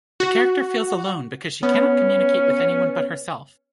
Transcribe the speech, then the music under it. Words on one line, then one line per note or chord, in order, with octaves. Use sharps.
The character feels alone because she cannot communicate with anyone but herself.
F#4
B3 C#4